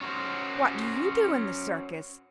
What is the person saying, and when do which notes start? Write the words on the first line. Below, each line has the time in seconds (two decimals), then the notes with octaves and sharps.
"What do you do in the circus?"
0.01 C#4 F#4 C5